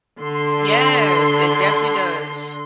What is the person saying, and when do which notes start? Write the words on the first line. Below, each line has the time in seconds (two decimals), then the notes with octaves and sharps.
Yes, it definitely does.
0.19 D3 C6